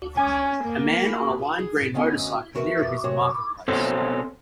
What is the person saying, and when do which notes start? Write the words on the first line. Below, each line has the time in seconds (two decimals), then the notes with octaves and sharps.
A man on a lime green motorcycle, near a busy marketplace.
0.17 C#4 G#5
0.64 A#3
1.59 G#4
1.94 D2 B3 C#4 D#5 G#5
2.55 E2 F#4 A#4 B4 E5
3.04 F#2 C3 F#4 C#5
3.68 B2 C4 A4 C5 C#5